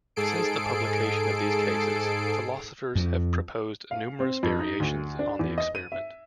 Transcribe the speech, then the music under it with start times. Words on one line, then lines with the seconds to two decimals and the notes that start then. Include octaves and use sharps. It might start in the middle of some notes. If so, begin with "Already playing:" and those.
Since the publication of these cases, philosophers have proposed numerous variations on the experiment.
0.16 G#2 G#4 A4 C7 D7
2.95 F2
3.91 F5
4.20 C4
4.43 F2
4.59 D#4
4.80 D2
5.19 D4
5.39 E2
5.58 D#5
5.75 D#7
5.92 E5